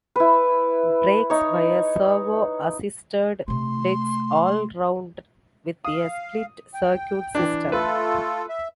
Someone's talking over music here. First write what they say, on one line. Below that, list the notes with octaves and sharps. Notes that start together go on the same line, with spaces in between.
Brakes were servo-assisted discs all-round with a split circuit system.
E4 B4
D#4 C#5
C3 A3 C6
F5 D#6
G5
E3 D4
A3 F4 A4 B4
E5